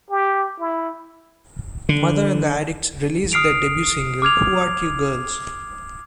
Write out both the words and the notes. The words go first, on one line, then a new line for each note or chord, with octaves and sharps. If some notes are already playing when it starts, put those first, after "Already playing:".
Mother and the Addicts released their debut single Who Art You Girls?
G4
E4
D3
D#6 F6 C7 D7 F7
D6 F6 G#6 F7